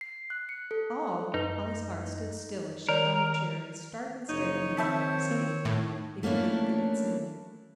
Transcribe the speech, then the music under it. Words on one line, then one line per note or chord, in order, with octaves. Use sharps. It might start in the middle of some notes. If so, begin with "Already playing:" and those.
"All!" Polly's heart stood still as she thought of Cherry, stark and stiff in the bottom of his cage, if he didn't get it soon.
C7
F#6
C#7
A4
F#2 D#4 B4
D#3 A#4 C#5 D5
F#1 D#4 C#5
D#3 C4 E5 A5 B5
A#3
A2
A3 A#3 C#4 D4 E4